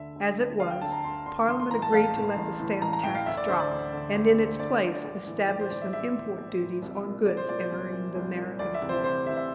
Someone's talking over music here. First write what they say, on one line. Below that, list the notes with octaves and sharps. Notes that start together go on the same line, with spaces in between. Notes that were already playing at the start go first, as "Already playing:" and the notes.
As it was, Parliament agreed to let the stamp-tax drop, and in its place established some import duties on goods entering the American ports.
Already playing: D2 D3 E5
D2
D3
D2 F5
G5
D3 A5
A#5
D2 C6
D3 C6
A1 C6
C6
A2 E3 A#5
A5
A1 F5
A2 E3
A1
A2 E3
A1 A#5
A#5
A2 E3 G5
F5
D2 E5
D5
D3 C5
D5
D2
D3
D2
D3
D2 D5
D3
A#1
A2 E3
A#1 D5
C5
A2 E3 D5
E5
A#1 E5
A2 E3
A#1
A2 E3
C2
A#2
C2 D5
C5
A#2 D5
C5
C2
A#2
C2
A#2
D2 D5
E5
C3 E3
C5
D2 C5
C3 E3 E5
E5